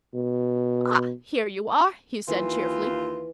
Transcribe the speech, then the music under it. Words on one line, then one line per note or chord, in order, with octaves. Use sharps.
"Ah, here you are," he said cheerfully.
B2
D#2 E3 F4